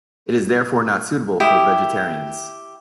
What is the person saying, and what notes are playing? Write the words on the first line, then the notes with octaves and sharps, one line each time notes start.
It is therefore not suitable for vegetarians.
E4 G4 D#6